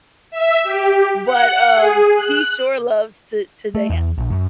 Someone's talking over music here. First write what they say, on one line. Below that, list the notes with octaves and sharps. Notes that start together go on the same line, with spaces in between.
but, um, he sure loves to to dance.
E5
G4
F#5
G#4
F#6
A3
E2
A#1
F#2